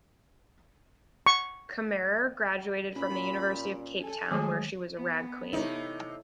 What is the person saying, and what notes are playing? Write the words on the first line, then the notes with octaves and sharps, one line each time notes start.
Camerer graduated from the University of Cape Town where she was Rag Queen.
C#6
A#2 C#4 B5
A4 G#5
D#3 F#3 G#3 A3 G#4
B3
C3 D#4 E4 A4 C#5